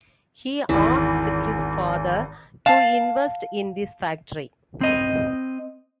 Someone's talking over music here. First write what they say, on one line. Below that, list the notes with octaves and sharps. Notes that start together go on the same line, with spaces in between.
He asks his father to invest in this factory.
G#1 E2 E4
F5 A5
C4 D#5